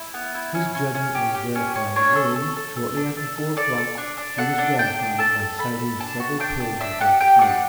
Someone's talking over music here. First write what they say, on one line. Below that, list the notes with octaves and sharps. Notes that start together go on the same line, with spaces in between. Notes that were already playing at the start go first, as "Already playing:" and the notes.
His judgment was verified, when, shortly after four o'clock he was gratified by sighting several pillars of black smoke.
Already playing: E4
B3
E4
C#4
C#4
C#4
G4
G4
C#4
C#4
D4 C#5
A4
A4
A4
A4
D4
A4
A4
A4 D5
A4
D4
D4
A4 F#5
D4
D4 G5
D4
A4 A5
A4
A4 B5
A4
D4 A5
F#4
D4 G5
D4
D4 E5
G4 F#5
G4 G5
D4 F#5